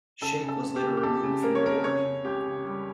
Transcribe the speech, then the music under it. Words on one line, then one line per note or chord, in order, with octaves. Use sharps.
Shaikh was later removed from the board.
C#3 A4
C#3
A4
F2
G4
C#3
G4
F2 A4
C#3
A#3 A#4
C#5
F2 A#4
C#3 C#5
C#3
C#2 G4
C#3
G3